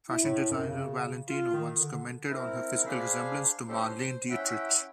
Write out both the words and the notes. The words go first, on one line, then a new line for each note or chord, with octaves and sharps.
Fashion designer Valentino once commented on her physical resemblance to Marlene Dietrich.
E4
A2
F#2
C#3
F4
D#3
D3
C4 E4 A#4
D4 G#4 C5 F5 B5
C#4 D#4 G4 A4 C5
C5
C#4 E4 E5 F#5 G5